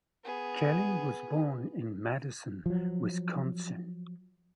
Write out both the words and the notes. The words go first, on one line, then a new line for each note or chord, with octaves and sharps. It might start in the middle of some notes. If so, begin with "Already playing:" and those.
Kelly was born in Madison, Wisconsin.
B3 G#4
F3 F#3